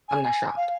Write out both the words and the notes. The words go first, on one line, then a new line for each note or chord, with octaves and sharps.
I'm not shocked."
G#5
G#5
F5